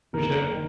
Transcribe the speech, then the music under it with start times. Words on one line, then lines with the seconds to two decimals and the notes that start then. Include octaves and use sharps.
For sure.
0.13 F#1 A#4
0.51 D#3